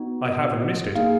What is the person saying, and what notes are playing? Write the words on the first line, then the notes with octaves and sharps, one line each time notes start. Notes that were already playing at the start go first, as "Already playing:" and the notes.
'I haven't missed it.
Already playing: B3 D#4 F#4
D#5
A#3 D#4 G#4 F5